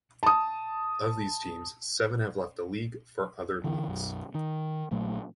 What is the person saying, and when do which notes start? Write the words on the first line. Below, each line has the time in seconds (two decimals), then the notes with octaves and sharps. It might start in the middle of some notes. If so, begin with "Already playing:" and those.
Of these teams, seven have left the league for other leagues.
0.23 A5 D#6
3.64 D3 E3
3.88 B1 F#2
4.35 D#3
4.91 A#1 A#2 F#3 A3